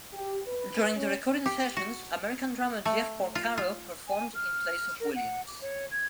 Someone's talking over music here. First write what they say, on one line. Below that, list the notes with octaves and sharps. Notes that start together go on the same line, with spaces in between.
During the recording sessions, American drummer Jeff Porcaro performed in place of Williams.
G4
B4
C#4
G4
F#4
A3
F4
F4
G#5
F6
A#4
F#5
D6
C#5
G#6